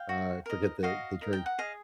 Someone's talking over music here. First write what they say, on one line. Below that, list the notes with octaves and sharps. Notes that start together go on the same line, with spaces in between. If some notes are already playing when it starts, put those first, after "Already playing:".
uh, forget the the drink,
Already playing: F5 G5
F#4
A#4 D#5
F#4 D#5 F5
A#4 D#5
G5
F#5
G#4 D#5 F5